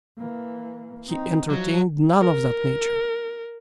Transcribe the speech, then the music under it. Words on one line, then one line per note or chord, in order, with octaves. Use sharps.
He entertained none of that nature.
E3 A#3
C4 D#4
F3 F#3
A#4